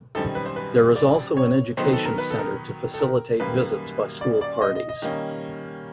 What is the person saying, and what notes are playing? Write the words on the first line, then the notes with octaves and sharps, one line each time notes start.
There is also an education centre to facilitate visits by school parties.
F#2 D#3 G3 C4 D#4 A4
B4
C5
B4
D5
C#5
D#3 F#3 B3 D#4 C5
A4
A#4
B4
A4
A#4
A4
A#4
F#2 D#3 G3 A#3 B4
D5
D5
D#5
D#5
D#5
D#3 G3 A#3 C#4 D#5